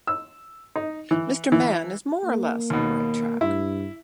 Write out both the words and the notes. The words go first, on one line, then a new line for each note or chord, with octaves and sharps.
Mr. Mann is more or less on the right track.
E6
D#4
E3
E3
A#3
D#2 B2
G2 E4